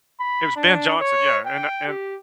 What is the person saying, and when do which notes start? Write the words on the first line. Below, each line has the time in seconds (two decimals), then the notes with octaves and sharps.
It was Ben Johnson, yeah, and a and
0.20 B5
0.56 D4
1.01 C#5
1.46 G5
1.87 G4